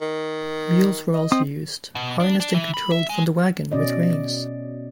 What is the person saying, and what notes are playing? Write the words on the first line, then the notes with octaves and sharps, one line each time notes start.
Mules were also used, harnessed and controlled from the wagon with reins.
D#3
D#5
C4 D#6
B2
D4
D4
E3
B5
E5
G#3
B2 C#4 D5 D#5